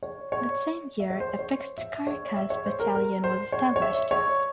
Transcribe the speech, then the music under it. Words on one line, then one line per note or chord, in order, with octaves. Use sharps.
That same year, a Fixed Caracas Battalion was established.
C#5
C#5
E5
C#5
C5
C#5
E5
C#5
E5
C#5
C5
A#4
A#4
C5
C#5
C#5
E5
C#5